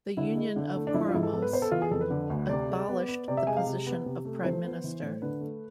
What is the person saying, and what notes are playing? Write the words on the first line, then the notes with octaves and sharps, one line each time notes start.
The Union of Comoros abolished the position of Prime Minister.
D3 E4
G#3
D3
A3
D4
F3 E4
D4
F4
G#2 E4
A4
B3 A4
B4
B3 C5
A4
E3 F4
G#4
F2 A4
B4
D3
D2
C3 D5
G#3
B3
B3
C3 D5
E5
G#3 G#5
F5
C3
B3
C3
A3
F3 C5
B3
E3
A2
D3 B4
A3